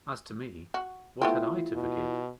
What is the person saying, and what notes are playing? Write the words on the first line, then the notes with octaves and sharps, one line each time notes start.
As to me, what had I to forgive?
F#4
A3 B3 C4 E4 F4
B2